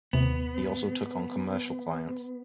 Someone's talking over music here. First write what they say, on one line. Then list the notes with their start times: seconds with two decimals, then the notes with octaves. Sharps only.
He also took on commercial clients.
0.13 D#2 C3 B3